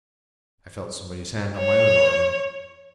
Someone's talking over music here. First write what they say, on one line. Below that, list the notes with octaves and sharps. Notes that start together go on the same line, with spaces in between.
I felt somebody's hand on my own arm.
C#5